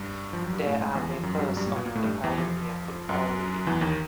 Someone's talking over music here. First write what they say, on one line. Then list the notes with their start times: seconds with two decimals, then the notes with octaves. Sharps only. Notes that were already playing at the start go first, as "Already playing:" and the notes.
They are members of the Pioneer Football League.
Already playing: G2 G3
0.33 F3
0.42 F#3
0.53 G2 G3
0.66 A2 A3
0.81 G#2 G#3
0.95 E2 E3
1.09 F2 F3
1.23 F#2 F#3
1.38 G2 G3
1.47 F#2 F#3
1.57 G2 G3
1.66 A#2 A#3
1.76 B2 B3
1.86 A#2 A#3
1.95 A2 A3
2.04 G2 G3
2.24 E2 E3
2.38 F2 F3
3.09 F#2 F#3
3.67 E2 E3
3.81 D#2 D#3